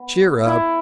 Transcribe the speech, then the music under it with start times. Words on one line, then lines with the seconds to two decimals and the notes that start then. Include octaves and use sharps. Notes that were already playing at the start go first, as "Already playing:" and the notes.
Cheer up.
Already playing: B3
0.46 E4